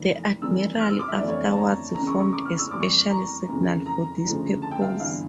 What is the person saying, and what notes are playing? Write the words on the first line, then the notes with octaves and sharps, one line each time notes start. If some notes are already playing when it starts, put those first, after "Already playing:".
The admiral afterwards formed a special signal for this purpose.
Already playing: F1 F2 E3 A#3
F1 F2 E3 G3 A#3 E6
F6
E6
D6
E5
G1 F2 E3 A3 D5
C#5
A5
A#5
C#2 C#3 E3 A#3 A#5
C#6
C#6
D6
F6
E6
F2 E3 G3 A#3 D6
C#6
A#5
F2 C#3 E3 A#3
A#5
D2 C#3 F3 A3
A5
G5
F5
G1 G2 E3 F5